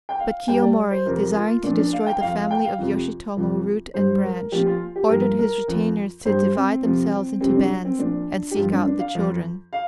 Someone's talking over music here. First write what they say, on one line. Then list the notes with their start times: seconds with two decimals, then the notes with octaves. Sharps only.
But Kiyomori, desiring to destroy the family of Yoshitomo root and branch, ordered his retainers to divide themselves into bands, and seek out the children.
0.09 G5
0.20 F5
0.48 G2 G3 G5
0.62 D5
0.91 C5
1.06 F2 C3 F3 A#4
1.34 F4
1.63 A#2 F3 D4
1.78 D4
1.93 F5
2.07 G5
2.21 F2 F3 F5
2.36 F5
2.51 G5
2.65 F5
2.78 F2 C3 F3
3.37 F2 C3 F3
3.94 G2 G3 C5
4.24 A#4
4.52 A#2 F3 G4
4.67 F4
4.96 G4
5.09 G2 F3 A#4
5.39 A#4
5.68 F2 F3
6.25 G2 G3 C5
6.55 C4
6.84 F2 C3 F3
7.41 F2 C3 G3 C4
7.56 D4
7.85 C4
7.99 A#2 F3 D4
8.51 G4
8.56 G2 F3 F4
8.71 D4
8.85 D4
8.99 F5
9.15 F2 F3
9.73 F5